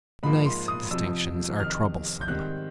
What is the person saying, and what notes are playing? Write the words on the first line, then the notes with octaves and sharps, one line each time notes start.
Nice distinctions are troublesome.
G#2 F3 A#3 B5
C6
D#6
F2 C3 F3 E6
F2 C3 D#3 F6
G6
G#2 D#3 G3 C4 F#6